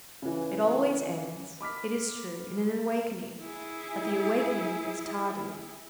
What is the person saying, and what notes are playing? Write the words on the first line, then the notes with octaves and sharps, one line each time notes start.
It always ends, it is true, in an awakening, but the awakening is tardy.
C#3 E3
B5 D6 F6 B6
E4 G#4